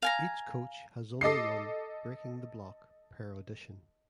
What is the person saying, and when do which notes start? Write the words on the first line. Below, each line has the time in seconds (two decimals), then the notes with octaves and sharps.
Each coach has only one "Breaking The Block" per audition.
0.02 F5 G#5 A#5
1.21 A4 D#5 D6 C7